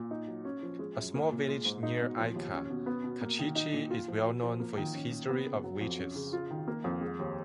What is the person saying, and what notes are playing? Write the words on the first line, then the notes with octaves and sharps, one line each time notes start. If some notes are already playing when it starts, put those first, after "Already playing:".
A small village near Ica, Cachiche is well known for its history of witches.
Already playing: A#2
D#4
F#3
C#4
F3
G#3
F#2
A#3
A#2
G#3
G#2
D#4
B2
F3
D#2
C#4
B2
B3
B2
A#3
D#3
D#4
A#2
F4
F3
F#4
F3
A#3
D#3
C#4
A#2
B3
C#3
F#3
F2
C#4
C#3
F4
D#3
A#3
F2
G#3
D#2